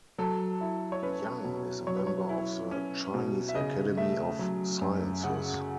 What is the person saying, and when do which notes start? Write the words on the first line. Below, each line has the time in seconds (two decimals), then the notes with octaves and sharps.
Yang is a member of the Chinese Academy of Sciences.
0.18 F#3 A4
0.61 E4
0.92 C#5
1.03 C#4 B4
1.45 B2
1.87 F#3 C#5
1.96 B4
2.07 C#5
2.29 E4
2.71 C#4
3.14 B2
3.49 E5
3.55 C#3 D#5
3.97 A3 E5
4.39 F#3
4.81 F#2
5.23 C#3 F#5